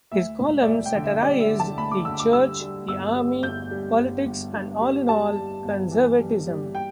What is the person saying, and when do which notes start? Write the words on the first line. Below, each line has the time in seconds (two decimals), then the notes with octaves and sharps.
His columns satirized the church, the army, politics and, all in all, conservatism.
0.12 D2 E5
0.40 E1
0.63 D5
0.67 D2 E5
0.86 G5
0.95 D3
1.04 E5
1.22 G3 D5
1.40 E5
1.50 D3
1.60 A5
1.77 D2 B5
1.91 D6
2.05 D3 E6
2.20 D6
2.33 G3 E6
2.61 G3
2.88 G1 E6
3.15 G3
3.43 G1 G6
3.71 G3
3.98 G1
4.26 G1
4.53 G2
4.81 G3
5.09 G3 A5
5.36 G3
5.64 G1
5.91 E3
6.20 G3
6.47 G3
6.75 G5